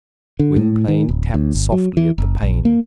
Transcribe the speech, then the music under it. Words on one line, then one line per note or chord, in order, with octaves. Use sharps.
Gwynplaine tapped softly at the pane.
D3
A2
D#3
D1
D2
G1
F#3
E3
F#1
A#1
A#3